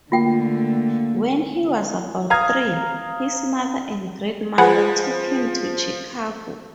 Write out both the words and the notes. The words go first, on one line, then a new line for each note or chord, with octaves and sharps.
When he was about three, his mother and grandmother took him to Chicago.
D3 A3 A#3 F4 G5
F5 A#5 D#6 F6 G#6
F3 G#4 B4 F#5 G#5